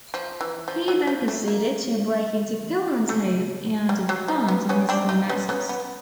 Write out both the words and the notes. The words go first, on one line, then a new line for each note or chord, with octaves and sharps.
He then proceeded to break into Pillman's home and advance on his nemesis.
F3
E3
F3
F#3
F3
A3
A#3
A3
G3
F#3
F3
B3
B3 C#4
C4 D4
D#4 F4
B3 C#4
B3 C#4
B3